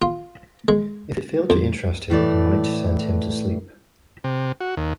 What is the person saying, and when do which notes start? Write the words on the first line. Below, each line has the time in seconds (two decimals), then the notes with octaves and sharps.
If it failed to interest him, it might send him to sleep.
0.02 F4
0.68 G#3
1.50 F2
2.10 A2 E3 A3 D5
4.24 C3
4.60 F#4
4.77 D#2